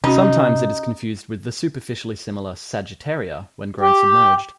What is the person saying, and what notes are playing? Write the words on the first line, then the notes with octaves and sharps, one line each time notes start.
Sometimes it is confused with the superficially similar "Sagittaria" when grown submerged.
C3 C#4 D#4 F#4
G4